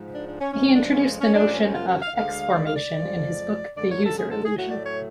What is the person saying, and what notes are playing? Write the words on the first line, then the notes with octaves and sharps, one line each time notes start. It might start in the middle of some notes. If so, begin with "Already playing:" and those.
He introduced the notion of exformation in his book The User Illusion.
Already playing: G#2 F3 G#3
D4
D4
C#4
F2 C#3 G#3 C#4
D4
C#4
C#4
F#2 F3 G#3 D4
C#4
F4
F#4
F5
D2 D3 G#3 F5
D5
F5
D5
F2 F3 G#3
F#2 D3 G#3 D5
C#5
A4
G#4
A4
G#4
A2 F#3 A3 F#4
D5
C#5